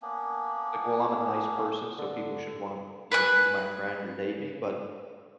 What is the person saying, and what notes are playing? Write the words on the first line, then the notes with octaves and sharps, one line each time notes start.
Like, "Well, I'm a nice person, so people should wanna," you know, "be my friend or date me," but
A#3 B3 C#4 D4
D3
B4 G#5 F#6